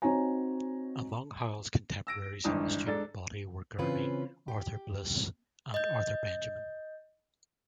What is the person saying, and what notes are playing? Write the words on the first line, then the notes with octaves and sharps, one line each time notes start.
Among Howells' contemporaries in the student body were Gurney, Arthur Bliss and Arthur Benjamin.
C4 D#4 F#4 C#5 G#5 A#5
E6 A#6 D7
G#1 G2 D3 E3 D#4 D#6
G#2 D4 A4 A6
C#3 E3 C4 C#4 F4 B4
G4
D#5 G6